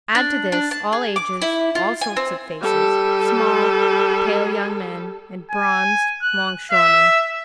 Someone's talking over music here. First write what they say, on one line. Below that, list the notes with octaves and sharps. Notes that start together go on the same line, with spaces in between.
Add to this, all ages, all sorts of faces, small, pale young men, and bronzed longshoremen.
D4
D4
A5
G#4
D6
E4
F4
G#5
C4
G3 A4
G#5
F#6
E5